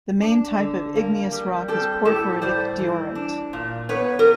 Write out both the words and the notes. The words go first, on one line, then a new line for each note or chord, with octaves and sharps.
The main type of igneous rock is porphyritic diorite.
D4
D3
A#3
G3
C4 G4 A4
A2 G4 A4
G3 C5 D5
E3
D4
A#2
B3 B4 C#5
A#4